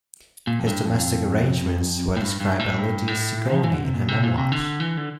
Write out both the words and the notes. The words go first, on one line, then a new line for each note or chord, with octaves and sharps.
His domestic arrangements were described by Lydia Sigourney in her memoirs.
A#2
F2
G2
F2
A2
G2
G2
A2
G2
A2
F3
E3
D3
C3
A#2
C3
A#2
C3
D3
E3
D3